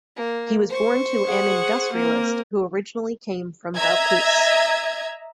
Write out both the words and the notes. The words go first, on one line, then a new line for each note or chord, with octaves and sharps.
He was born to an industrialist who originally came from Vaucluse.
A#3
C5 C#6
G#4 F#5
A#3 C4 A#4
D#5 E5 A#5 G#6